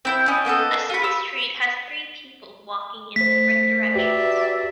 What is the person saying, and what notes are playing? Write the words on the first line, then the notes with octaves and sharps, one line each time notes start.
A city street has three people walking in different directions.
C4 E4 G6
C#4 D5 D#5
A#3 B3 D#4 A4
F4 B5
E6
A3 C5 B6
F#4 G4 B4 D5 E5